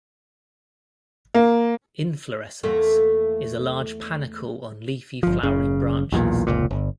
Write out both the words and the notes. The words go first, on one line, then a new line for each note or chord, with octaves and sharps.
Inflorescence is a large panicle on leafy flowering branches.
A#3
E2 A3 A#3
G1 F3
F#1 C#3
B1 E2 A#2
F1 C#2 A#2
G1